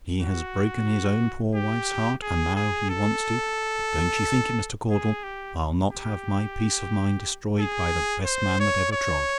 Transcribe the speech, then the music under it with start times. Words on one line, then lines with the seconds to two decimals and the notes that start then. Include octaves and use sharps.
He has broken his own poor wife's heart, and now he wants to--but don't you think it, Mr. Caudle; I'll not have my peace of mind destroyed by the best man that ever trod.
0.21 F#4
1.55 G4
2.22 G#4
2.55 G#4
2.90 A4
4.91 G#4
5.23 G4
5.91 G4
7.59 G#4
8.25 C5
8.60 C#5
8.92 C#5